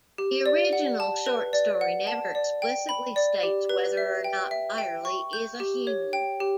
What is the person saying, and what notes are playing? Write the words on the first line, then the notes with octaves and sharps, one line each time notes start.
The original short story never explicitly states whether or not Byerley is a human.
G4
D5
F#5
A5
B4
D5
F#5
A5
D5
G5
B5
D5
G4
B4
E5
G5
E5
G5
C#6
G6
G4
C#5
G5
G4